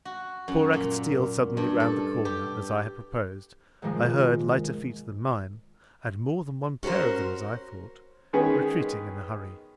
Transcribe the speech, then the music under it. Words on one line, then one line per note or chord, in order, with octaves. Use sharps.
Before I could steal suddenly round the corner, as I had proposed, I heard lighter feet than mine--and more than one pair of them as I thought--retreating in a hurry.
F#4
F#2
A#2
G2
A4
G4
G#2 C3 D#3 F3 G#3 A#3
C#4 F#4 G#4 A#4 C5
D#3 G#3 B3 C#4 G#4 B4